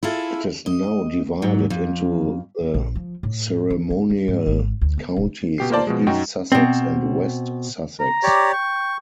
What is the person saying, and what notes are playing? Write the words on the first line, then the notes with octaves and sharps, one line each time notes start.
It is now divided into the ceremonial counties of East Sussex and West Sussex.
E4 F4 G#4 A4
D#5
G#2 F#3
F2
A#1
F3
A2
E3
A#3
G3
G#2
G#1
D2
B3
D#1
B2 G4 C7
A#3 F4 A#4 C5 D5 A5
B2 F3 G#3
F#2 D#4 F#4 G5
B2 C4
A#5
G4 C#5 D5
G5 C#6